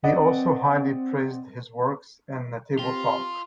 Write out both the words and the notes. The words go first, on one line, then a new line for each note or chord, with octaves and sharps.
He also highly praised his works in the Table Talk.
C4 D5 D#5 F#5
C4 F4 G4